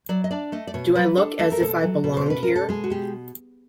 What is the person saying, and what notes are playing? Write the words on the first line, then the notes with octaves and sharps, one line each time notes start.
Do I look as if I belonged here?
F#3 D5
D#5
D4 D5
A3 D#5
D5
B2 C#5
F#3 B4
D4 A4
A3 A4
A#4
B2 A4
F#3
B2
C5
C#4 B4
B2 A#4
A4
G#3 G#4
F#4
B2 G4